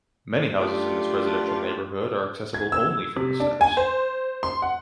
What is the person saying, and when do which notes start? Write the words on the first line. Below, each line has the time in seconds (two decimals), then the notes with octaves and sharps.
Many houses in this residential neighborhood are accessible only from the steps.
0.60 A3 D4 F4 G4 B4
2.54 G#6
2.72 E6
3.17 C3
3.40 D4
3.61 G#5
3.77 C5
4.43 C6
4.62 F#5